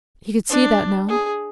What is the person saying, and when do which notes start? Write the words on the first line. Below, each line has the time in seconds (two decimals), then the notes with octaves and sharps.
He could see that now.
0.50 D4
1.08 G#4